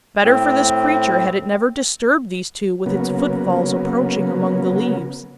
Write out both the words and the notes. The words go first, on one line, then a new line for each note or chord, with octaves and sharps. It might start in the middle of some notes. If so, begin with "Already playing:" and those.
Better for this creature had it never disturbed these two with its footfalls approaching among the leaves.
A2 C4
C#3 F#3 A#3 B3